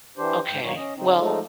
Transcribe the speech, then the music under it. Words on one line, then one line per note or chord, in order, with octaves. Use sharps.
Okay. Well,
E3 D4 G4 C5
G#2 G5
G2 D#3 F#3 A#3 D#4 C#5
C#4 D#5
C#3 C4 D#4
F3 G#3 A3 D#4 A4